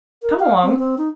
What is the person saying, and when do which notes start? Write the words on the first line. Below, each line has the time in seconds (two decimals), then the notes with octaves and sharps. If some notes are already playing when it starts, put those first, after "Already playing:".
Come along!'
0.22 A#4
0.39 F5
0.63 C4
0.79 C4
0.98 D#4